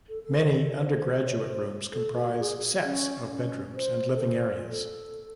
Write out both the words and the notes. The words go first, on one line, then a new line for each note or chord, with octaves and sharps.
Many undergraduate rooms comprise 'sets' of bedrooms and living areas.
A4
A4
C5
A4
C5
C5
C#5
C5
A4
F#4
G#4
C#4
C#4
C5
A4
C5
A4